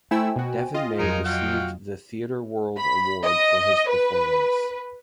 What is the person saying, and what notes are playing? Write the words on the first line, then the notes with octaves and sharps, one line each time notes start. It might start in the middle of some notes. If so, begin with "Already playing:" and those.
Deven May received the Theatre World Award for his performance.
A3 E4 C5 G5 G#5 E6
B2 F#4
F4 D#5
F2 F#3 D#4 G#4 A#4
F#4 F5 G5
B5
D#5
B4